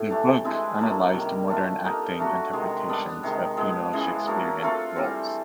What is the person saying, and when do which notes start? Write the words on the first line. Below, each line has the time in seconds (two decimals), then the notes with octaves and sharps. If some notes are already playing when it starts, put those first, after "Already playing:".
The book analysed modern acting interpretations of female Shakespearean roles.
Already playing: A2
0.10 E3 A3 D4 G4
0.44 G#3 C4 E4 A4
0.79 F#3 A#3 D4
1.14 C3 D#3 G3
1.49 A3 D4 F4 A4
1.84 A#3 D#4 G4
2.19 A3 D4 F#4
2.53 C3 D#3 G#3
2.88 G3 B3 D4
3.23 C3 D#3 G#3
3.57 F3 G#3 B3
3.93 C#3 E3 G#3
4.27 F#3 A#3 D4
4.61 A3 C4 F4 A4
4.96 E3 G3 C4